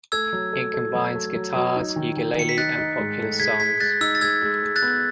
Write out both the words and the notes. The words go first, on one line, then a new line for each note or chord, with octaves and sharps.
It combines guitars, ukulele, and popular songs.
A3 E6 G#6
F#3
A3
A3
F#3
A3
F#3
F#3
D#4
D#3
D#3
D#3 C#7
B6
D#4 F#6 A6
D#4
G#2
A3
G#3 G#6 B6
G#3 G#6 B6
G#3 F#6 A6
D#4 E6
A6
G#3 E6 G#6
G#3
G#3
F#6 A6
B3